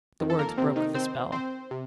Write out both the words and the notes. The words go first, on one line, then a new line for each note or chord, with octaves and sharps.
The words broke the spell.
F2 D#3
A4
A#3 A#4
C3 C4
D#3 D#4
C4 C5
C4 C5
C3